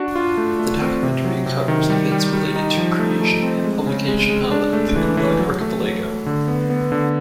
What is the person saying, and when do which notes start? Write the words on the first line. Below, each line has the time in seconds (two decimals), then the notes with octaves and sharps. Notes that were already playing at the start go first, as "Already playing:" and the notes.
The documentary covers events related to creation and publication of "The Gulag Archipelago".
Already playing: D4 F#4
0.16 F4
0.37 A3
0.59 A3
0.81 C4
1.03 C3
1.25 F#3
1.46 C3
1.68 D#3
1.90 G3
2.12 G3
2.33 G3
2.56 D#4
2.77 F3
2.99 A3
3.21 A3
3.43 C4
3.64 G#3
3.86 C#3
4.08 G#3
4.30 G#3
4.51 D4
4.73 A3
4.96 E3
5.17 E3
5.39 F#3
5.61 A3
5.83 F#3
6.04 A3
6.26 D3
6.48 B3
6.70 B3
6.92 D3